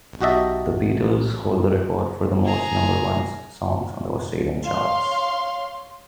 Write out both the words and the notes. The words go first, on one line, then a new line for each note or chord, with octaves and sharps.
The Beatles hold the record for the most number-ones songs on the Australian charts.
B1 F#4 G4 D#5 E5 A5
G#4 A#5
C#5 F5 C6